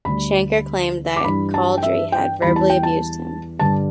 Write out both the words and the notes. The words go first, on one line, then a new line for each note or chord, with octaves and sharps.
Shankar claimed that Chaudhry had verbally abused him.
D2 D3 G3 B5
D6
G2 E3 G3 D4 B5
A5
G5
E5
G5
E2 E3 G3 B5
A5
G5
A5
G2 D3 G3 D4 A5